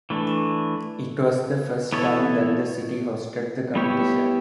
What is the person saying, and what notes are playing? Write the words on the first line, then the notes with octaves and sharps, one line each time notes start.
It was the first time that the city hosted the competition.
E3 A3 D4
E3 B3 E4 A4 C#5
G3 B3 E4 G4 C#5